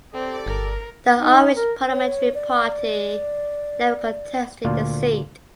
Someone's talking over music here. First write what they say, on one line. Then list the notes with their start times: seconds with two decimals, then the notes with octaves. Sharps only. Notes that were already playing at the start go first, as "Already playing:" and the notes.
The Irish Parliamentary Party never contested the seat.
0.14 C4 G4 A4 D5
0.46 G1 A#4
1.19 D#4
1.56 A#4
1.91 C#5
2.34 D5
4.65 D2 A#2 F4 D5